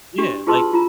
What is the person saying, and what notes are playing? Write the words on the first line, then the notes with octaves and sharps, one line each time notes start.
Yeah, like
D4 F#4 G4
F4 G#4 B4 A5 C6 E6
F4 A#5